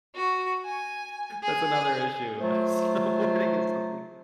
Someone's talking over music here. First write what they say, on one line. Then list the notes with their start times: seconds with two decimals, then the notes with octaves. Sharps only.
that's another issue, snowboarding is something
0.16 F#4
0.66 G#5
1.43 G#4
2.40 F#3 A3 F4 C5